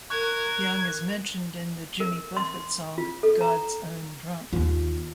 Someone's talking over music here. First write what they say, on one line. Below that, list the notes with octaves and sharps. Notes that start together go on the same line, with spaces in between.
Young is mentioned in the Jimmy Buffett song "God's Own Drunk".
A#4 C#6 F#6 G#6
A#4
C6
F4
A4
A#5
D#2 F4